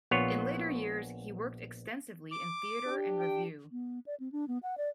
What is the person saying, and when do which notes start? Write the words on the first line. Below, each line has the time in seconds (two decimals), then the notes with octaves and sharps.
In later years he worked extensively in theatre and revue.
0.11 A#1 B3 F4 C#5
2.31 D6
2.85 D4 G4
3.20 G5
3.72 B3
4.06 D5
4.20 C4
4.32 D4
4.48 B3
4.63 F#5
4.78 D5